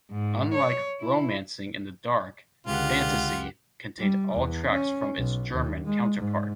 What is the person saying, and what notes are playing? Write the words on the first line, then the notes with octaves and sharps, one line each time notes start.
Unlike "Romancing in the Dark", "Fantasy" contained all tracks from its German counterpart.
G#2
C#5
E4
C#2 D3 F4 G4 F#5
G3
E2
C#4
B1
D#2
G#3
G#2